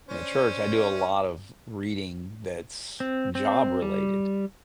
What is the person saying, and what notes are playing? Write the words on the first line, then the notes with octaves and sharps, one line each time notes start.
in a church. I do a lot of reading that's job-related.
C#4 D4 C5
C4
C4
G3